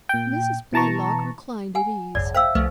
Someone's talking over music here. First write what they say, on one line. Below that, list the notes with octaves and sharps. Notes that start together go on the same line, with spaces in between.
Mrs. Blaylock reclined at ease.
A#2 G5
B2 E3 A5 A#5 C#6
F#5 G#5
G#1 C#2 F#2 D5
C5 E5 F5 G5 E6
C2 F3 A3 B4